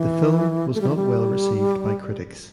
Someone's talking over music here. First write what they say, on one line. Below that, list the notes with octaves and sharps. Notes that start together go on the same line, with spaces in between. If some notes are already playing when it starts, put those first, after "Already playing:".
The film was not well received by critics.
Already playing: E3
A3
G3
E3
G3